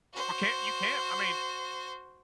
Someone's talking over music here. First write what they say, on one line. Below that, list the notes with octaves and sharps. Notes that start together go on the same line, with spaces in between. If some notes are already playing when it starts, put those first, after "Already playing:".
Well, can't you can't, I mean,
F#4 C5